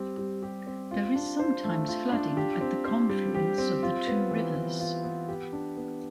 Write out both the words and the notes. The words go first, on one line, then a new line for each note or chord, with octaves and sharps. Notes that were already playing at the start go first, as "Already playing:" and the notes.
There is sometimes flooding at the confluence of the two rivers.
Already playing: G3 C4 G4
G3
G4
C4
F4
D4
C5
A3
F4
D4
G4
C4
C5
G3
G4
C4
F4
B3
E3
E3
F4
B3
G4
D4
B3